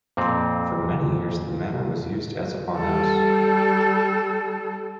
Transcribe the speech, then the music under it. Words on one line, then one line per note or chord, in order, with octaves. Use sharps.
For many years the manor was used as a farmhouse.
F2 A#2 C4
G3 A4